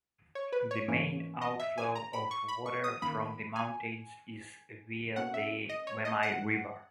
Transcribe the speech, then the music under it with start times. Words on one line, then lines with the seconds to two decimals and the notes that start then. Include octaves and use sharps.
The main outflow of water from the mountains is via the Wami River.
0.35 C#5
0.52 B4
0.71 C#5
0.88 G#2 E3 A#3 C#4
1.42 D#5
1.60 E5
1.78 G#5
1.95 A#5
2.13 B5
2.31 C#6
2.48 B5
2.66 C#6
2.84 D#6
3.02 F#2 D#3 A#3 B5
3.56 G#5
5.16 B2 A#3 C#4 F#5
5.34 E5
5.69 D#5
5.87 C#5
6.05 D#5
6.23 F#5